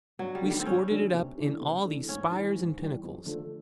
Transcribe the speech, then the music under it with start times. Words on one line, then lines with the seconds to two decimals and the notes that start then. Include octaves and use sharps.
We squirted it up in all these spires and pinnacles.
0.19 G2 F#3
0.35 G3
0.43 D#3 F#3 A3 D4
0.51 G3
0.60 C4
0.66 G2 C#4
0.90 D#3 F#3 A3 D4
1.13 C3
1.38 E3 A3 D4
1.61 C3
1.84 E3 A3 D4
2.08 G#2 C#4
2.32 E3 G3
2.55 G#2
2.79 E3 G3
3.03 F2
3.26 D3 F3 A3